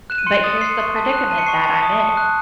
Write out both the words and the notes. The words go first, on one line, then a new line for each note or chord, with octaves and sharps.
But here's the predicament that I'm in.
F#6 E7
D#7
C6 C#7
D#6 A6
C6 C7
C#6
A5
F#6
A5 D#7
C#7
C#6 C7
C#7
A5
D#6
A5
F#6